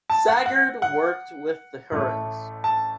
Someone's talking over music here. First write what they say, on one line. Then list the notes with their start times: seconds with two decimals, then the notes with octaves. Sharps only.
Sagard worked with the Hurons.
0.10 A5
0.28 F#5
0.46 F#5
0.82 F#5
1.91 A1 A2 A3
2.64 A5